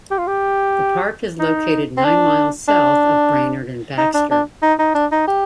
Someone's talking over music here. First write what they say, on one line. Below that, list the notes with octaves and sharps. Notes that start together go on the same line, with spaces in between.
The park is located nine miles south of Brainerd and Baxter.
G4
F4
G4
D#4
C4
D4
D4
D#4
D4
D4
D#4
D#4
D4
D#4
G4